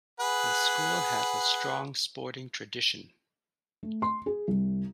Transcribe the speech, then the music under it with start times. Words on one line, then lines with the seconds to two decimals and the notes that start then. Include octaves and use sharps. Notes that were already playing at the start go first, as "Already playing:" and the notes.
The school has a strong sporting tradition.
0.20 G#4 B4 F#5
3.83 A3
4.02 C6
4.26 G#4
4.48 C2